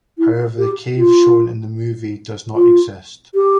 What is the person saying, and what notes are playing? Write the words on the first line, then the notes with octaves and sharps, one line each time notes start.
However, the cave shown in the movie does not exist.
E4
G4
F4
F4
G4